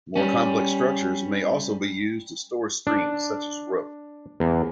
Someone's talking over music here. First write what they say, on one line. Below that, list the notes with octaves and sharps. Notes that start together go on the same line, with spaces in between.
More complex structures may also be used to store strings such as the rope.
G3 C#4
D4
E2